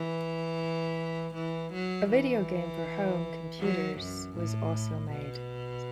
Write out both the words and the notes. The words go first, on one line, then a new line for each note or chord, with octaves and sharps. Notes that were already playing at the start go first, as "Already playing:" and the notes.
A video game for home computers was also made.
Already playing: E3
E3
F#3
E3
F#3
F#2
A2
B2